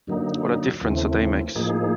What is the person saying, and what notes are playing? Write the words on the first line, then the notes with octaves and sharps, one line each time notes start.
What a Diff'rence a Day Makes!
F#2 D3 F#3 A#3 D#4
D#2 C#3 E3 A3 C4
A2 F3 A#3 D#4 G#4